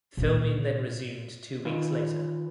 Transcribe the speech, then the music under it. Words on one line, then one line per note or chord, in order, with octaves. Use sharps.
Filming then resumed two weeks later.
A#2 D#4
D#3 F4 B4